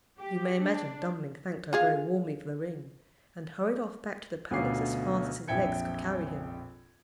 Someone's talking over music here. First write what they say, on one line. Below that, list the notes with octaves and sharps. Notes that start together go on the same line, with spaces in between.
You may imagine Dummling thanked her very warmly for the ring, and hurried off back to the palace as fast as his legs could carry him.
G4
D4
F4 G#4 F5
D2 B2 C#4 F4 D6 C7
A#1 F2 E5 G5 G#6 C#7